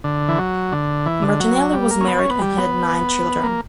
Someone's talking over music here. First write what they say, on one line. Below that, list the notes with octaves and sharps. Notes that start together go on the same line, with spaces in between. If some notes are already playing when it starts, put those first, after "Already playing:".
Martinelli was married and had nine children.
D3
E3
F#3
D3
E3
D3
F#3
G3
A#3
C#4
B3
C#4
B3
G3
B3
A#3